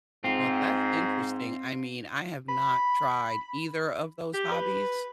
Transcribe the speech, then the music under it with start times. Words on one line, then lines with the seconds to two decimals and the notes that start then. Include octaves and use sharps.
Well, that's interesting, I mean, I have not tried either of those hobbies,
0.24 G#2 C4 F4
2.49 B5
4.34 G4
4.52 B4